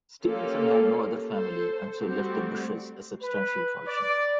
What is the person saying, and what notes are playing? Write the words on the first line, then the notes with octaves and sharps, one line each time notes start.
Stevenson had no other family and so left the Bushes a substantial fortune.
A#3 C#4 F4 G4 A4
A4 C5
G3 A3 C4 F#4 G4
B4
D5